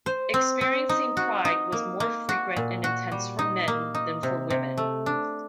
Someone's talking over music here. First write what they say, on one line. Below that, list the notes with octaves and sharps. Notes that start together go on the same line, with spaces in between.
Experiencing pride was more frequent and intense for men than for women.
C5
C4
C4
D#4
F#4
D#4
A#3
A#3
F#4
A#2
F#4
G3
D#4
A#3
D#4
C3
C3
A3
D4